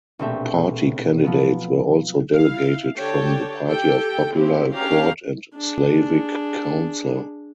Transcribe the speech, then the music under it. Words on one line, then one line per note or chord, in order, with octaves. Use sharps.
Party candidates were also delegated from the Party of Popular Accord and Slavic Council.
A#1 B2 A3 C4 G4 E5
F3 F#3 B3
E4 F5
D3 G4 C#5 G5 A5
G4 A4 G5
C4 E4 F#4 G4
C#4 D4 G4 F5 G5 A#5
D4 G#4